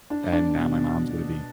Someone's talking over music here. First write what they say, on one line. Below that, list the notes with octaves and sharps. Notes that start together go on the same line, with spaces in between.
And now my mom's gonna be
D4
D4
B2